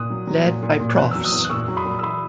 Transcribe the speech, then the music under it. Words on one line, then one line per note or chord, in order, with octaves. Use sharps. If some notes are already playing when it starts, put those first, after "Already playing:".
Led by Profs.
Already playing: A#2 D#6 F#6
F#3
F#3
A#2
A#2
A#2
E2 F#6
F#3 E6
D#6 F#6
E2
F#6
A#2 C#6 E6
F#3
B5 D#6
A#2
E6
E3 B5 D#6